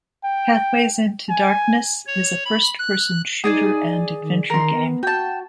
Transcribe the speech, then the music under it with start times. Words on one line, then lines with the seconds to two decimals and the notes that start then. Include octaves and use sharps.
"Pathways into Darkness" is a first-person shooter and adventure game.
0.24 G5
1.30 G#5
2.07 C#5
2.45 B5
2.79 F#6
3.44 D#4 G#4 D5 G#5
4.21 D#3
4.50 D#3 A#4 C6
4.73 B3
5.03 F#4 G5 A5